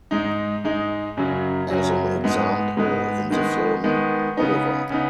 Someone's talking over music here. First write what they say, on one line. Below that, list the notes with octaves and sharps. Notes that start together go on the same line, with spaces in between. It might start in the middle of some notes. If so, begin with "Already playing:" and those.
As an example, in the film Oliver!
G#2 G#3 D#4
G#2 G#3 D#4
F#2 C#3 F#3
F#2 C#3 F#3
G#2 G#3 B3
G#2 G#3 B3
D#3 G#3 B3
D#3 G#3 B3
C#3 B3 D#4
C#3 B3 D#4